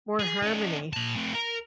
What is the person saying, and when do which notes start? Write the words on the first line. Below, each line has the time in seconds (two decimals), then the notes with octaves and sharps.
more harmony.
0.20 G#4
0.42 C#4 D#4
0.93 A#2 A5
1.16 A3 C4
1.34 A#4